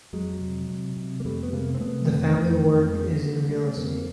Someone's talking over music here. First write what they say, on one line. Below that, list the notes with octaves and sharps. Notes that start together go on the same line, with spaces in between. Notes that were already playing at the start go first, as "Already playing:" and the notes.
The family work is in real estate.
F2 F#3 G#3
C3
C3
C3
A#3
F2 G3 A3
B3
C3 G#3 A#3
C4
C3 A3 B3
F2
F2
F2
A3
D3 G#3 A#3
D3
D3 G3 A3
F2 A#3 C4